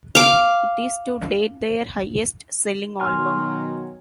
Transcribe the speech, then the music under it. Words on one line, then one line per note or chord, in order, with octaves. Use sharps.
It is to date their highest-selling album.
F5 D6
B2 D#3 F#3 G#5 C6 F6